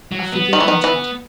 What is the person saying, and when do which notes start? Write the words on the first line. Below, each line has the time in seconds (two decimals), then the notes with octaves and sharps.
A figure entered.
0.12 F#3
0.32 B3
0.53 D#3
0.60 E3
0.68 D#3
0.84 E3